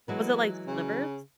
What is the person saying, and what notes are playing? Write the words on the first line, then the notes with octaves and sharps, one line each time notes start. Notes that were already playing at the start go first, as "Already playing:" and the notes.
Was it, like, slivers?
E3 F#3 G#3 B3
C#3